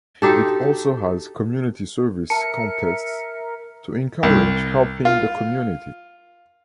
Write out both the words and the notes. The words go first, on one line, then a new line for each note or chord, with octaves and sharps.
It also has community service contests to encourage helping the community.
D4 D#4 F#4 G4 A4 G5
A#4 E5 A5 C#7
C2
F4